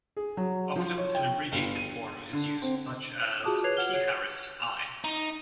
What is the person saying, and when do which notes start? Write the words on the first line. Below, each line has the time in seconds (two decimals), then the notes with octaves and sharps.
Often an abbreviated form is used, such as "pHarris I".
0.17 G#4
0.37 F#3
0.76 F3
0.98 C#5
1.15 G5
1.52 G1
1.76 D#7
2.33 D3
2.62 C4
3.44 F4 F#4 G#4 A5 D6 D#6
3.64 B4 C#5 F#6 G#6 C7 F7
3.77 F#5 F6 G7
3.94 C#5 G#6 C7
5.04 D#4